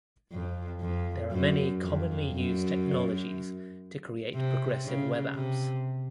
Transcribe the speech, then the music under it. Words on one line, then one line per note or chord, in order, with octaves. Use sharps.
There are many commonly used technologies to create progressive web apps.
F2
F2
F#2
F2
F#2
C3
C#3
C3